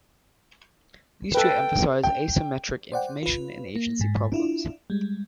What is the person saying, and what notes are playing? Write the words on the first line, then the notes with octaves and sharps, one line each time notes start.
These two emphasize asymmetric information and agency problems.
A4 B4 G5
G5
C5 D5 F#5 G5
F4 B4
A#3
G#2
D4 E4 F4
G3 G#3